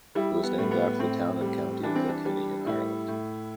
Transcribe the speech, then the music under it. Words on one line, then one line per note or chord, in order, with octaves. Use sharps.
It was named after the town and county of Kilkenny in Ireland.
G3 E4
B3
A2
B3
A2 C4
G3
E3 D4
C4
D4
G3
A2 E4
A2